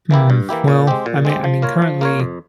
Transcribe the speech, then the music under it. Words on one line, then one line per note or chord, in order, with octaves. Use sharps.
Hmm, well, I mean I mean, currently,
E3 A#3 E4 G4
G2
E3 A#3 E4 G4
A#2
G#3 C4 G4
A#2
G#3 C4 G4
F3
A#3 F4 A#4 C#5
F3
A#3 F4 A#4 C#5
F2